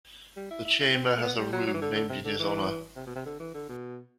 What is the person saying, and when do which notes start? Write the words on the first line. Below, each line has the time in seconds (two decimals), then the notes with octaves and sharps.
The Chamber has a room named in his honour.
0.36 G3
0.51 E4
0.65 E4
0.80 E4
0.95 C4
1.08 B3
1.17 A3
1.22 B3
1.38 G3
1.52 F#3
1.67 F#3
1.74 E3
1.81 D3
1.95 D3
2.10 C3
2.25 D3
2.39 E3
2.96 C3
3.07 B2
3.15 C3
3.26 D3
3.40 E3
3.54 D3
3.69 B2